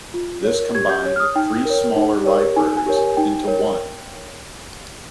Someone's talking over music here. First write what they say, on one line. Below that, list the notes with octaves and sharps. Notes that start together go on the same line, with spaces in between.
This combined three smaller libraries into one.
F4
A#4 C#5
G4 G#6
G6
C#5
F6
D#6
D#4 G5
A#4 C#5
D#4
G4 A#4 C#5
D#4 G#5
G#5
G4 A#4 C#5
G#5
D#4 G5
A#4 C#5